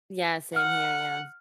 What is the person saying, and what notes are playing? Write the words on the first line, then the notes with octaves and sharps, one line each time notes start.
Yeah, same here, yeah.
F#5 F6